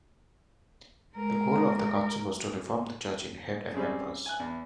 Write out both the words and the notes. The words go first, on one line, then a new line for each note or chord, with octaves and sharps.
The goal of the council was to reform the church in head and members.
G#3 A#4
G3 C4 C#4 G#4
G#5 F#6
E2